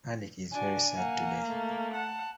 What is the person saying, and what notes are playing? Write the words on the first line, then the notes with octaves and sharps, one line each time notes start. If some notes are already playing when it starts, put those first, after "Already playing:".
Hardik is very sad today.
D4 F#4 G#5
A#3 F#5
A3
F#5 A5